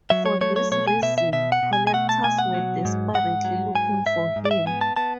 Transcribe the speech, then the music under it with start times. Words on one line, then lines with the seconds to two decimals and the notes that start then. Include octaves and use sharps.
For this reason, collectors were desperately looking for him.
0.10 F#3 E5
0.26 C#5
0.41 A3 C#5
0.56 C#5
0.71 B2 C#5
0.87 G#5
1.03 B2 E5
1.18 E5
1.33 B2 E5
1.52 F#5
1.63 B2
1.73 G#5
1.87 G#5
1.93 A3 F#5
2.09 A5
2.24 B2 G#5
2.39 F#5
2.54 F#3
2.85 G#2
3.14 G#2 F#5
3.45 F#3
3.75 G#2 G#5
4.06 G#2 E5
4.36 G#2
4.45 D5
4.51 E5
4.66 B3 G#5
4.81 A5
4.96 B3 A5